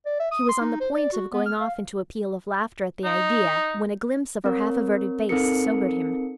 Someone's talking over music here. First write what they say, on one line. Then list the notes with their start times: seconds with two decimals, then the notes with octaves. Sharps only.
He was on the point of going off into a peal of laughter at the idea when a glimpse of her half averted face sobered him.
0.06 D5
0.20 E5
0.31 D#6
0.49 C6
0.61 D#4
0.81 C5
0.95 D5
1.13 F#4
1.33 B3
1.46 F6
1.61 F5
3.05 D#4
4.44 C4 A#4 C#5
5.29 C4 D#4 A4 A#4 C#7